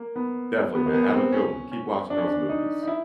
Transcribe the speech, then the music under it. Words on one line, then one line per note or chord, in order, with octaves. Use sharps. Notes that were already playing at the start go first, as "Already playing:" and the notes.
Definitely, man, have a good one. Keep watching those movies.
Already playing: A#3
B3
B3
A#3
B3
C4
C#4
C#4
D4
C#4
D4
D#4
D#4
E4